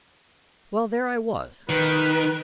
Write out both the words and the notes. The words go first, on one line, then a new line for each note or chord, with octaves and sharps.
Well, there I was.
D#3 B4